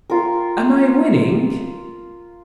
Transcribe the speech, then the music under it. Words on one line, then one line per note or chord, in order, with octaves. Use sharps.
"Am I winning?"
F4 A#4